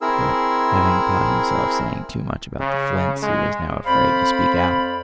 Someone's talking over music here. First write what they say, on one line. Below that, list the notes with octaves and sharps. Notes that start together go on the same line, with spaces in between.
But having caught himself saying too much about the flints, he was now afraid to speak out.
C4 E4 G#4 A#4 E6
C#3
G#3
F2 C5 D5 F5 B5